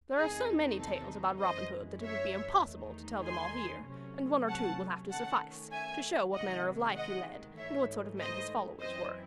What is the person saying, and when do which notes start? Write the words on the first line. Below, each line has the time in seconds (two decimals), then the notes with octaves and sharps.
There are so many tales about Robin Hood that it would be impossible to tell them all here, and one or two will have to suffice, to show what manner of life he led and what sort of men his followers were.
0.16 E2 C3 D#3 A3 D#4 G#4
0.79 A4
1.40 F#2 E3 G#3 C5 D#5
2.02 C#5 E5
2.63 E2 D#3 A3 D#4
3.25 G#5 C6
3.88 C3 F#3 A3 C#4
4.48 F#5 A5
5.10 D#3 A3 C#4 F#5 A5
5.72 E5 G#5
6.33 C3 D#3 G#3 D#5 F#5
6.96 D#5 F#5
7.57 G#2 E3 A3 D#4 C#5 E5
8.19 C5 D#5
8.80 F#2 E3 C4 E4 C5 D#5